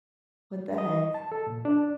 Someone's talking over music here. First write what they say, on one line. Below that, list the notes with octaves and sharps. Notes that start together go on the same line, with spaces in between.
What the heck?
D#5
A5
A4
A#2
D4